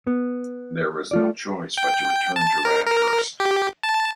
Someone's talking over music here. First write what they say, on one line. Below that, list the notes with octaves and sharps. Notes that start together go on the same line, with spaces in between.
There was no choice but to return to Randhurst.
B3
A3 F4 D5
G5
A5
A#4
A#4
G4
A5